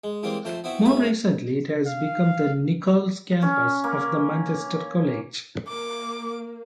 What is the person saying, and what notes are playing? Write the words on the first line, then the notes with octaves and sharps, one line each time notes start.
More recently it has become the Nicholls Campus of the Manchester College.
G#3
E3 G3 G#3 A#3 C4
F2 A3 C5
B3 C4 E4 F#4
C#2 F#2 A3 B4 E5 B5
F5
C#4
A#3
A#3 D6